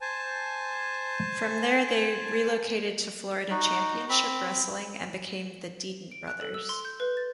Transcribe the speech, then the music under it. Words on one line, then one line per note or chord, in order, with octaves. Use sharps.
From there they relocated to Florida Championship Wrestling and became The Deaton Brothers.
C5 G#5 A5
D#4 F#4
C4 B5
D7
F#6
A4
E6
C6
G6
B4
A6